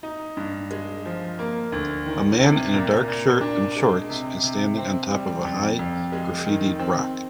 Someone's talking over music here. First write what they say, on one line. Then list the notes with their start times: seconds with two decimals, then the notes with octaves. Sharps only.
A man in a dark shirt and shorts is standing on top of a high graffitied rock.
0.03 D#4
0.37 G2
0.71 G#3
1.05 F3
1.39 A#3
1.72 D2
2.06 D#3
2.41 C3
2.74 A#2
3.08 A#2
3.41 D4
3.76 G#3
4.10 C3
4.43 C3
4.77 C4
5.11 G3
5.45 F2
5.79 F2
6.12 G#3
6.46 D#3
6.79 C4